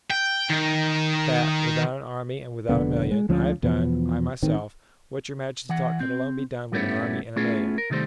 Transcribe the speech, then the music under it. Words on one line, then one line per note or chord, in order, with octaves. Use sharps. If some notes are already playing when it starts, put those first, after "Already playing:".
"That, without an army and without a million, I have done--I, myself--what your majesty thought could alone be done with an army and a million."
G5
D#3
F1 B2 D3 B3
G#3
D2 F3 G#3 C#4
E2 B2 F3 B3
A1 D#3 C4
E3 F#5
C4
G2 G3 A3 B3 C#4 E4
A3 B3 C#4 E4 F4 G#4
A#4
C3 D#3 G3 A3 C5